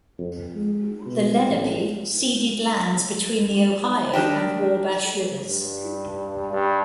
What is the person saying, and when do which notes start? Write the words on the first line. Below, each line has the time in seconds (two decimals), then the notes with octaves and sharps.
The Lenape ceded lands between the Ohio and Wabash rivers.
0.19 F2
0.55 G#3
1.06 B2
1.46 A1
4.13 D#3 D4 G4
5.46 G2
6.53 G2